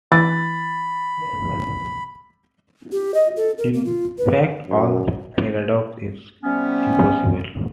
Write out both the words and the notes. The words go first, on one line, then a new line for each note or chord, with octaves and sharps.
In fact, all paradox is impossible.
E3 B5 A6
G4
D#5
A4
A#4
A#3
F4
B4
F#2
C3 G3 B3 C#4